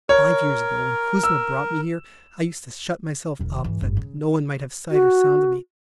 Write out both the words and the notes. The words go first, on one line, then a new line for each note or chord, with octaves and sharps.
Five years ago, when Kuzma brought me here, I used to shut myself up, that no one might have sight or sound of me.
A#4 C#5
E6
E1 D#3
G#1 E3
F#1 G#2
C#3
F#4